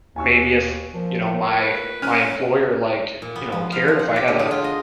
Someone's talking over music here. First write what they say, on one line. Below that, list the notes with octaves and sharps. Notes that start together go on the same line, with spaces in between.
maybe if you know, my my employer, like, you know, cared if I had a
D#2 G#5 C#6 E6
A#2 F3
B4
C#4 F6 F#6 D#7
A#2
B3
F3
F5
F3
F#5
G4
D3
G#4
F4
D#5